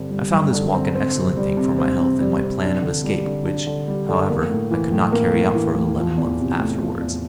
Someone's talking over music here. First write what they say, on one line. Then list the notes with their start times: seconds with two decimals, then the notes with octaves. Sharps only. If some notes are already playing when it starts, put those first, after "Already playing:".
I found this walk an excellent thing for my health and my plan of escape, which, however, I could not carry out for eleven months afterwards.
Already playing: G2 D3 G3 C4
0.11 G3
0.33 G2
0.53 D3
0.74 C4
0.95 C4
1.15 C3
1.37 G3
1.57 C3
1.78 C4
1.99 C3
2.20 G3
2.40 C3
2.62 D4
2.82 D3
3.04 G3
3.25 D3
3.45 D4
3.67 D3
3.88 G3
4.09 D3
4.29 A#3
4.50 A2
4.71 E3
4.92 A2
5.12 A#3
5.34 A2
5.55 E3
5.75 A2
5.97 F3
6.18 E2
6.39 C3
6.59 A3
6.80 F3
7.01 E2